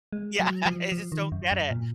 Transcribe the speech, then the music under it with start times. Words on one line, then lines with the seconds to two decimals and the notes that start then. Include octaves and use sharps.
Yeah, I just don't get it.
0.13 G#3
0.40 F#3
0.66 F3
0.92 F3
1.12 D#3
1.32 F#2
1.52 F#2
1.71 A#2